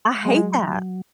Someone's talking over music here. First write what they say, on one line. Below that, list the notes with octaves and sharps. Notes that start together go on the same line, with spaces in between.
I hate that.
F#3 G#3
F#3